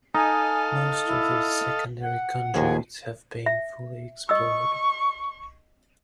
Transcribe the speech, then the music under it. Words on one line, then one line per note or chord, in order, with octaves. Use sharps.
Most of these secondary conduits have been fully explored.
D#4 A4 D#5 F5 G#5
E4
F#5
D#2 F3 G#4
E5
D#5 C#6 D#6 E6